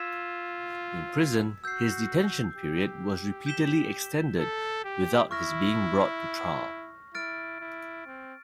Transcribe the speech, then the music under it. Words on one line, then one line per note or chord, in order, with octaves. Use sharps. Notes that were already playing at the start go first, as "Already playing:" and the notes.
In prison his detention period was repeatedly extended without his being brought to trial.
Already playing: F4 E6 G#6 B6 E7
F#4 E6 G6 C7
G4
G6 B6 E7 G7
A4
G4
E4 C#6 F6 A#6
E4 F6 A6 D7
E4
C4